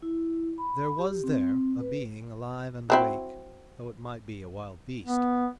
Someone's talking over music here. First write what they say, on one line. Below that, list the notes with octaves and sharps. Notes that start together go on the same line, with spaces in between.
There was there a being alive and awake, though it might be a wild beast.
E4
B5
G4
C4
B4
F#3 C4 E4
B3